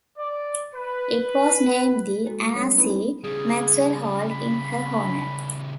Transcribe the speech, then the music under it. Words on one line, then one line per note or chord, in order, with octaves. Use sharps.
It was named the "Anna C. Maxwell Hall" in her honor.
D5
B4
G#3 A#3 F#4 A4
F#3 G3 C#4 D4 C#5
C4 D#4 E4 B4 B5
C#3 G3 G#4
B5